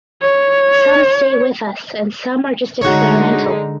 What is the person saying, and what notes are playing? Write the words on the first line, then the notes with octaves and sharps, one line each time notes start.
Some stay with us and some are just experimental.
C#5
D3 G#3 D#4 F#4 C#5